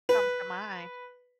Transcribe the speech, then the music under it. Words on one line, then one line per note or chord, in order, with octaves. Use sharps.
comes to mind.
B4